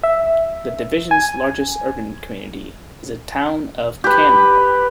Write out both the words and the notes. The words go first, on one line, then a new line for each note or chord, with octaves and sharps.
The division's largest urban community is the Town of Canmore.
E5
G#5
G4 B4